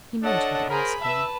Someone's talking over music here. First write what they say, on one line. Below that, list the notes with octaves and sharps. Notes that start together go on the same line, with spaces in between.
He meant her to ask him.
D4 A4 C#5 D#5 F#5
G#4 A#4 C5 B5
B4 E5 A5